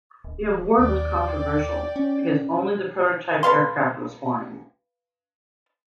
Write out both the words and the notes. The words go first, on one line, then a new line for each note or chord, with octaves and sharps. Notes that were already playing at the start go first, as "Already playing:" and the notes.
The award was controversial because only the prototype aircraft was flying.
D1
D#2 D5 G5
C#4
A4 B4 F5 C6